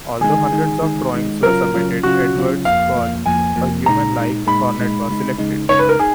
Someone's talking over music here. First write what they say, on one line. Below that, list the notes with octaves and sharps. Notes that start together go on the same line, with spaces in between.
Although hundreds of drawings were submitted, Edwards' Corky, a "human-like" hornet was selected.
D#3 G#3 D#4 G#4
D#3 G#3 D#4
D#3 G#3 D#4
D#3 G#3 D#4
C#3 F#3 C#4 F4 A#4
C#3 F#3 C#4 F4
C#3 F#3 C#4 F4 F#4
C#3 F#3 C#4 F4
F2 F3 A#3 F5
F2 F3 A#3
F2 F3 A#3 G#5
F2 F3 A#3
A#2 G#3 D#4 A#5
A#2 G#3 D#4
A#2 G#3 D#4 B5
A#2 G#3 D#4
C#3 G#3 D#4
C#3 G#3 D#4
C#3 G#3 D#4 C#5
B4
A#4
D#4 G#4